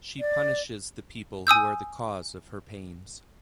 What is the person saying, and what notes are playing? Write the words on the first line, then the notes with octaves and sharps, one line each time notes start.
She punishes the people who are the cause of her pains.
D5
G#5 D#6 E6 G6